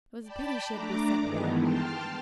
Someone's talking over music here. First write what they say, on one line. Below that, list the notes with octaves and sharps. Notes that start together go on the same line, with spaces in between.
It was a pity she had to be sent back.
D5 G5 A5 B5
A3 D4 A#5 D6
G2 D#3 E3 G#3 B3
G5 A5 C6 F6